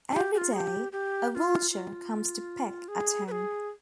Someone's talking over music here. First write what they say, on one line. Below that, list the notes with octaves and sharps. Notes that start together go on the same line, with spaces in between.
Every day, a Vulture comes to peck at him.
G4
G4
F4
G#4
G4
G4
G4
F4
F4
G#4
B4
G#4